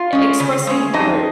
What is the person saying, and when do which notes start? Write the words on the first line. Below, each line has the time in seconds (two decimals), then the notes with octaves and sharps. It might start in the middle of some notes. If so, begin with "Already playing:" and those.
e expressing your
Already playing: F4 F5
0.12 G#3 C#4
0.40 C#3
0.67 G#3 C#4
0.93 F2 D#4 D#5